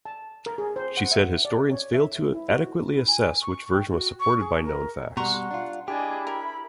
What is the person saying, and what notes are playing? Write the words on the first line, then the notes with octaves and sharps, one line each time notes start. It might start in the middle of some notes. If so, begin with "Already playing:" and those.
She said historians failed to adequately assess which version was supported by known facts.
A5
A#4
G#4
C5
F#5
E5
D5
C#5
E5
E4
F#4
E4
G#5
C#6
G5
F#4
C#6
G#4
A#4
B2 G3 F#5 A#5 C6 C#6
D4 F4
D4 E4 G4 G#4 D#5
A#4 B5